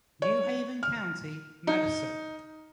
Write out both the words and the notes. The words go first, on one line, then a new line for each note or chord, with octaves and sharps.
New Haven County - Madison.
C#5
F6
D#4